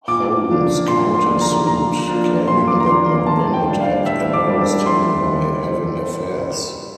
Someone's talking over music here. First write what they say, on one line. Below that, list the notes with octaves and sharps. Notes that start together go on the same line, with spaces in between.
Holmes counter-sued, claiming that MacDonald had embarrassed him by having affairs.
A#2 D6
F3 A#3 D4
A#2 C6
C6
F3 A#3 D4
A#5
A#2 A#5
F3 A#3 D4
A#2 C6
D6
A#5
F3 A#3 D4 C6
C6
A2 A5
G5
G3 D4
F5
A2 E5
D6
G3 D4
A2 C6